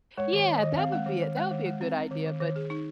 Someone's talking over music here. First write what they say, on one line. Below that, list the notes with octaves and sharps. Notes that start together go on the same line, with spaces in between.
Yeah, that would be that would be a good idea, but
G#3 C#5
D#3 C#5
D#3
D#5
D#3
C4 F5
G#3
D#3
D#3
G#3
D#3
G#3
C4
C4
D#3
D#3
D#3
G#4
D#4